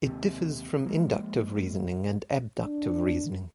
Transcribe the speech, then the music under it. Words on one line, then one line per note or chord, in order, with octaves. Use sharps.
It differs from inductive reasoning and abductive reasoning.
D#2 C3
F3 G#3 A#3
D4